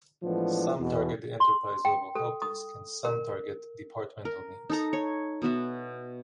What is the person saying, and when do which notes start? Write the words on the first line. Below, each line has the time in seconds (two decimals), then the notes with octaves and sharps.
Some target the enterprise level help desk and some target departmental needs.
0.23 A2 E3 F3 G#3 B3 D4
0.79 E2 B2
1.40 C6
1.85 G5
2.15 A4
2.42 D#6
3.05 A#4
4.25 A#4
4.70 D#4 A4 A#5
4.93 C#5
5.42 B2 B3 F#4 E5